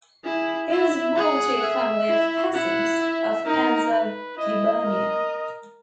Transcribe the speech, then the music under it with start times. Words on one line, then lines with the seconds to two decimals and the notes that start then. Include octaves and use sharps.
He was born to a family of peasants of Penza gubernia.
0.24 E4 G#4
0.71 E4 E5
1.17 G#4 F#5
1.62 E5
2.09 E4
2.53 E4 F#5
3.00 E5
3.46 D#4 A#4
3.92 B4
4.37 E4 D#5
4.83 A#4